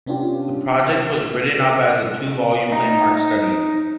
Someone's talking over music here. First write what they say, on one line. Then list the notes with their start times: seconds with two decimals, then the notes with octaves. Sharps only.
The project was written up as a two-volume landmark study.
0.06 C3 B3 C#4 D4 F4 G4
2.72 D#4